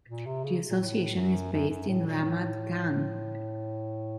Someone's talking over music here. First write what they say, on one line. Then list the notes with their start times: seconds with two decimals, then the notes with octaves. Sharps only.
The association is based in Ramat Gan.
0.08 A#2
0.26 C3
0.44 C#3
0.70 A#2
0.80 A2
1.15 F#2
1.53 F#2
1.69 F#2
1.89 A2
2.07 A#2
2.24 A2